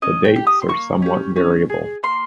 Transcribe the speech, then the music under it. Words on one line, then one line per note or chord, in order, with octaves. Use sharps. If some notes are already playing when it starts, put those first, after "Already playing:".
The dates are somewhat variable.
C#4 D#5
G5
G4
D#6
C6
A#3 C#6
C#4 G4
C#4
G#4
A#3 C6